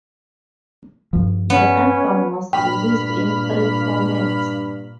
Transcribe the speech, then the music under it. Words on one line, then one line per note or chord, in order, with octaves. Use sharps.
The album was released in three formats.
G2 F3
B3 C#4
G2 A#2 G5 B5 F6 B6